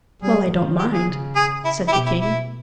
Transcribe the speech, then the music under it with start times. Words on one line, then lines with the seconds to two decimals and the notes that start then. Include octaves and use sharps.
"Well, I don't mind," said the king.
0.21 G3 G#4
0.50 D#3
0.79 G4
0.93 G#4
1.07 C#3
1.36 G#4
1.64 E4
1.88 E4
1.92 B2 G4
2.06 E4
2.21 E4